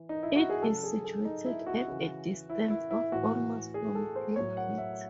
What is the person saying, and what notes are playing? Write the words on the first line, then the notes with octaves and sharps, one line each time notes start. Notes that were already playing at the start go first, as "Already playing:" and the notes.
It is situated at a distance of almost from Gilgit.
Already playing: E3
D#4
E4
F#4
G#4
C#3 F#3 A4
G#4
A4
D#4
E4
F#4
C#3 E3
E4
E4
E4
A2 E3 F#4
G#4
A4
C5
A2 F#3 C#5
F#5
E5